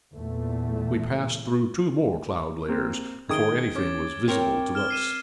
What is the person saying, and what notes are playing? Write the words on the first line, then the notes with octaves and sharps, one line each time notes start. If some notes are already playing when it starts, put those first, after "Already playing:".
We passed through two more cloud layers before anything was visible to us.
E2 A#2 A3
A#3 C4
D#3 G#4 D#6 G#6 D7 G7
C#4 D6 A6
C4 A#4 C#5
F6 E7 G7
C7 D#7 E7